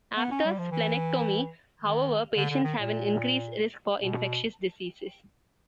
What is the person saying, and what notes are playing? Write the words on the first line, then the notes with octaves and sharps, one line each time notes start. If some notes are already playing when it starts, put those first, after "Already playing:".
After splenectomy, however, patients have an increased risk for infectious diseases.
B3
C#4
G3
F3
E3
D#3
D3
D3
D#3
A#2
B2